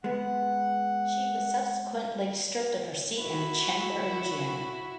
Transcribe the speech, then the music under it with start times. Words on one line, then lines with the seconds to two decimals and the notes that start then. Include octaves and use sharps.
She was subsequently stripped of her seat in the Chamber in June.
0.04 G#3 B3 F#5
3.21 E4 F#4